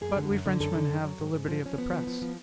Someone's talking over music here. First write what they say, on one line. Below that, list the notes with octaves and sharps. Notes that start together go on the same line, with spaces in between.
But we Frenchmen have the liberty of the press.
F#2 G#4
D3
F#2
D3
F#2 A4
D3
F#2
F#3
G#2
G#2
F3
F3 C#4
F3 B3
F3
F3
F3